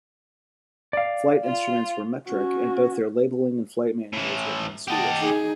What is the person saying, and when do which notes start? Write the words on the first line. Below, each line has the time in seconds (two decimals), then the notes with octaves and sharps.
Flight instruments were metric, and both their labeling and flight manuals written in Swedish.
0.93 D5 F5
1.42 F4
2.28 C#4 F#4
4.13 A2 E3
4.88 G4 D#5 F#5 A5
5.20 D#4 G#4